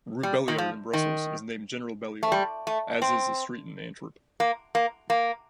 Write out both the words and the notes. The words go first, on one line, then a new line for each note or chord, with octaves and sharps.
Rue Belliard in Brussels is named General Belliard, as is a street in Antwerp.
G3
D#3
F3
D#3
A3
G3
A3
C4
A#3
A#3
A#3